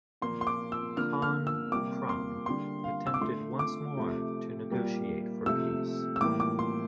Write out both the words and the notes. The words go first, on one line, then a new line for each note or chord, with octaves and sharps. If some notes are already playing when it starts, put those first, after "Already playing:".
Khan Krum attempted once more to negotiate for peace.
A#2 F3 A#3 C6
C6
D6
E6
D3 F3 A#3 F6
F6
E6
C3 G3 A#3 D6
C6
D3 G3 A#3 C6
F5
E6
D6
D3 A3 C6
D6
C3 F3 A3
A#2 G3 A#3
C3 F3 A3 E6
E6
A2 E3 G3 A#3 D6
D6
C6